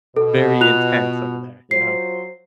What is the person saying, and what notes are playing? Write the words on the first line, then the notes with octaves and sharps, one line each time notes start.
very intense over there, you know?
B2 A4
F4 F#6 F7
F#3 F4 C5 C7